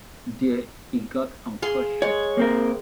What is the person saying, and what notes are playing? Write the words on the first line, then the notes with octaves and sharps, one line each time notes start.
There he got unconscious.
G#4 F5 C6
G#3 C#5
A#3 C4 A#4